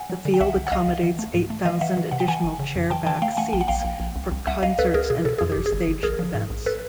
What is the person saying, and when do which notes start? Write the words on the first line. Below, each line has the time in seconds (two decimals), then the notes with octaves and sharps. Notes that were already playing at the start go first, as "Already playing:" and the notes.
The field accommodates eight thousand additional chairback seats for concerts and other stage events.
Already playing: F#5 G#5
0.10 F#3
0.25 D3
0.34 G5
0.40 C2 E5 F#5
0.56 C2
0.67 F#5
0.72 C2 D#5 F5
0.87 C2
1.03 E3
1.19 A3
1.34 G#2
1.50 A3
1.65 E3 D#5 F5
1.81 E3 E5 F#5
1.97 E3
2.11 C3 F#5
2.20 G5
2.28 E3 F#5 G#5
2.44 G1
2.59 C#3
2.75 F2
2.90 E3 G5 A5
3.06 E3 G5 A5
3.22 A3 F5 G5
3.37 A3 F#5 G#5
3.53 A#1 G5
3.61 F#5
3.68 A#1 F5 G5
3.85 A#1
4.00 A#1
4.16 C2
4.32 C2
4.47 C2 E5 F#5
4.63 C2 D#5 F5
4.78 C#2 A4 B4
4.94 C#2 G#4 A#4
5.10 B2 G#4
5.25 B2 A4
5.38 F2 G#4
5.52 G1 G4
5.66 G#4
5.73 G1
5.87 G1
6.03 A#1 G#4 A#4
6.19 F3
6.35 G#2
6.50 A#1
6.66 A4 B4